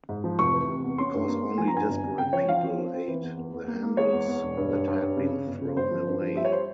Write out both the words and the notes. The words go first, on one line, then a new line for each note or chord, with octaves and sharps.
Because only desperate people ate the handles that had been thrown away.
G#2
F3
F1 C#6
E3
C3
E2
C#4 C6
G2
A#3
A#3
F3 G#5
A#5
G2 G#5
G1
G1
C#3 G5
F3 C#5
F3 F5
F3
C4
C4
E3
E2
E2
E2
A#3
A#3
G#3 C#5
E2
E2
E1
G2
G2
G2
G2
C#3
C#3
G1
C#3
G1 C5
F3
G2
F3
G3 E5
C#5
C5